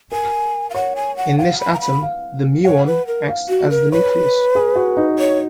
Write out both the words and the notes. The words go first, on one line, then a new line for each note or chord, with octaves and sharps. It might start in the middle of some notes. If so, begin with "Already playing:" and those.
In this atom, the muon acts as the nucleus.
A#4 G#5
F5
C#5 F#5
G#5
F#5
F5 F#5
B5
F5 A#5
B5
F5
C#5 F#5
B4
A#4
F5
F#4
A#4
B4 C#5
G#4
F#4
D#4
C#5